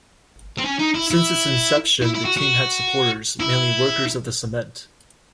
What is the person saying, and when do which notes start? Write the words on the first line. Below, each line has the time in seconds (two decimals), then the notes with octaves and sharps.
Since its inception, the team had supporters, mainly workers of the cement.
0.59 C4
0.65 C#4
0.79 D#4
0.95 E4
1.11 E4
2.02 E4
2.14 E4
2.25 F#4
2.37 F#4
3.40 E4